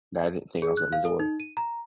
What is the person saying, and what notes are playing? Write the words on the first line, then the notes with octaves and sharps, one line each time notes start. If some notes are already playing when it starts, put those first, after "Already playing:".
That, I didn't think I was gonna enjoy.
G#4
F#6
F5
A4
D#4
D#7
A#5